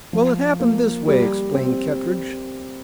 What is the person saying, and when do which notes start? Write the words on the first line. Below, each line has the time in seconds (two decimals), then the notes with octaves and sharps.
"Well, it happened this way," explained Kettridge.
0.13 F3
0.60 A#3
1.08 G3
1.55 C4